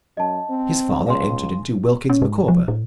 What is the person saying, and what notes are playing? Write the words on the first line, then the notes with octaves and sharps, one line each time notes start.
His father entered into Wilkins Micawber.
F#2 D#5 A5
C4
C#2 F5 G#5 C6
C#4
G#2
F3
A2